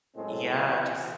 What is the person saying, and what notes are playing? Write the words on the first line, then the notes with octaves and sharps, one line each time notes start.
Yeah, just
F#2 A2 G#3 C4
E3